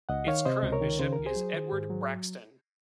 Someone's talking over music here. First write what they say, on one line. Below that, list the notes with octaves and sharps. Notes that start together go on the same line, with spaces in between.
Its current bishop is Edward Braxton.
C#2 D#5 F#5
D#3 C#5 F5
C3 C5 D#5
C#2
A#4 C#5
D#3
C#3 C5
A#4
C#2
G#4 C5
F#3
D#3
G#2
F#3